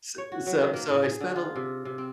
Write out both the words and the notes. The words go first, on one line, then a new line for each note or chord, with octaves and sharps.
s so so I spent a li
C#5
F#4
F#3
D#3
A#3
A2
G#4
D3
F4
C3
C3
C4